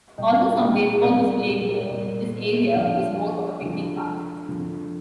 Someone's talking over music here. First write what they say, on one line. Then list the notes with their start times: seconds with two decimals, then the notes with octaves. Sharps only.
Although some baseball was played here, this area was more of a picnic park.
0.18 A#2 G3 D#5 G5
0.61 D#5 G5
1.04 A#2 G3 D5 F5
1.26 A#4 D5
1.47 G4
1.69 G4 A#4
1.90 A#2 G3 A#4 D5
2.75 D3 F3 D5 F5
3.62 D3 F3
4.49 D3 F3